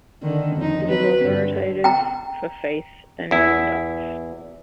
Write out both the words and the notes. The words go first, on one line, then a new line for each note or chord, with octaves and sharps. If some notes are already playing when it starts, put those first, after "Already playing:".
It is authoritative for faith and conduct.
D3 D#3
F2 D#4
F#3 C4 B4
G2 D3
G5 A#5
E2 E4